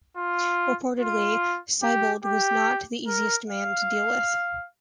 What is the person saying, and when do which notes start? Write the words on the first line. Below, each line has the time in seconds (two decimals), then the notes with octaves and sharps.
Reportedly, Siebold was not the easiest man to deal with.
0.17 F4
1.00 F4
1.83 G4
2.24 G4
3.07 A#4
3.49 F5